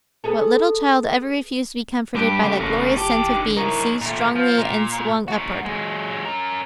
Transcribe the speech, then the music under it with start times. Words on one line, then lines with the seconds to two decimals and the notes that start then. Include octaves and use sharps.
What little child ever refused to be comforted by that glorious sense of being seized strongly and swung upward?
0.24 B3 G#4 A4
2.15 G2 G4 G5
2.43 C#3 A3
2.60 F#1 A#4 C#5
2.97 E2 G4 A5
3.30 D#3 D4
3.57 D#4 E4 A#4 C#5
4.01 A#2 A3
4.35 F3
4.58 A#2
5.28 D#4 F#4
5.65 F#3 G#3
6.25 C#4 A#4